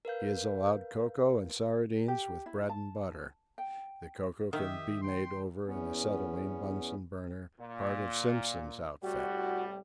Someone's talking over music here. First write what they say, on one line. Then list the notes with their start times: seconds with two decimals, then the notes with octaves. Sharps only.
He is allowed cocoa and sardines with bread and butter--the cocoa can be made over an acetylene Bunsen burner, part of Simpson's outfit.
0.05 A#4 B4 F5 G6
2.08 G4
2.46 E4
2.69 A5
3.58 G5
4.53 D#3 G4 E5 D#6
5.02 G5 C6
5.67 E2 B3 C#4
7.60 A#2
9.03 C2 A2 G3 F#4